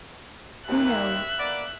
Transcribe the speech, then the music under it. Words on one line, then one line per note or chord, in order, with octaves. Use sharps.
"Who knows?"
D#2 E5 F#6
A#3 B3 D5